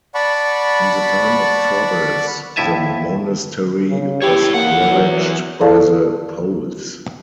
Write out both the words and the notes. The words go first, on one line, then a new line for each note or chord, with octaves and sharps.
In the Time of Troubles, the monastery was ravaged by the Poles.
D5 F#5 A5 B5 C#6
F2 A2 E4 E5 G#5 A5
C#3
E4 G4 C#5
E2 A#3 F#5
F#3
E4 G#4 A4 D5 F5 A5